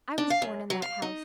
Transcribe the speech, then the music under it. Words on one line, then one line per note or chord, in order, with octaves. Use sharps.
I was born in that house.
D4
F5
F#2
F#3
F5
D#4